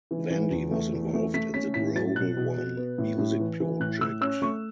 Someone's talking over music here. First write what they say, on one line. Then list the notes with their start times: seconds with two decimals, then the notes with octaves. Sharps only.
Vandi was involved in the Global One music project.
0.11 E3
0.30 E3
0.51 E2
0.71 A3
0.93 E2
1.13 A3
1.34 A3 B6
1.54 C#4 B6
1.74 A2 B6
1.95 F#3 A6
2.15 B2 F#6
2.37 B2
2.57 B2
2.77 B3
2.98 A2
3.18 A2
3.40 E3
3.60 E3
3.80 A2 F#6
4.01 A2 E6
4.21 C#4 E6
4.42 A3 C#6